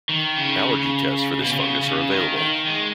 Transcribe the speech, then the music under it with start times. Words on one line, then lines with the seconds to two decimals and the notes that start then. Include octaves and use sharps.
Allergy tests for this fungus are available.
0.09 D#3
0.38 C#3
1.42 B2
1.52 C#3
1.81 C#3
2.10 D#3
2.38 D#3
2.67 G#3